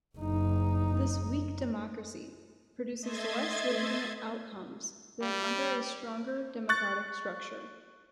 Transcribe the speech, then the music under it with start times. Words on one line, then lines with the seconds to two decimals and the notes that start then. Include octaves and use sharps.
This weak democracy produces less legitimate outcomes than under a stronger democratic structure.
0.17 F#1 D#4
2.99 A3 D#5 E5 C6 G#6 A6
5.22 G3
6.69 C#6 F#6 A6